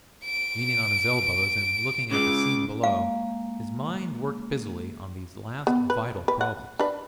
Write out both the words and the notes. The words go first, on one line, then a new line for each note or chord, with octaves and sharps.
Leaning on his elbows and looking at the scene below, his mind worked busily on these last vital problems.
D7
C#3 G#3 D6
G#3 A#3 F5
B3
B4
B4
F#5
D4 B4